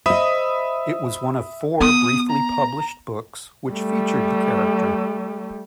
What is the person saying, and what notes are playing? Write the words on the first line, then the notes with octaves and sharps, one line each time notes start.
It was one of four briefly published books which featured the character.
C5 D#5 E5 B5 D#6
B3 D#6
A#5
G3 A3